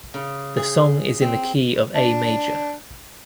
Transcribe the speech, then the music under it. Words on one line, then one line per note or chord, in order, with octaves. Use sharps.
The song is in the key of A major.
C#3
G#4
C4
D4